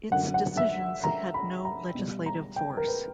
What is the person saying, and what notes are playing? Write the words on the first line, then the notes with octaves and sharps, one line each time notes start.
Its decisions had no legislative force.
F#2 D3 F#3 F#5
F#5
E5
A#5
B5
A#5
B2 G3
A#5
G5
A#4
B4